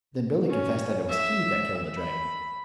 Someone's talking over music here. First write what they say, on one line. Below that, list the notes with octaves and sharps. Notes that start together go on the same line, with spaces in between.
Then Billy confessed that it was he that killed the dragon.
C#4
E5
B5